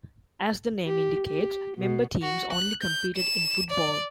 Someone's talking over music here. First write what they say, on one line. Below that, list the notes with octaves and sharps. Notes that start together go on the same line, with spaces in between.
As the name indicates, member teams only competed in football.
G4
G4
B2
F#4
F#6
G6
E7
D5